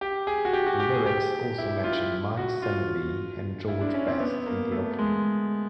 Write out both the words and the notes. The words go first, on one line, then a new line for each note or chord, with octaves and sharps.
The lyrics also mention Mike Summerbee and George Best in the opening.
G4
G#4
F#4
G4
F#4
G4
G#4
G4
E4
F4
F#4
F4
E4
D4
C#4
C4
B3
A#3
A3
G#3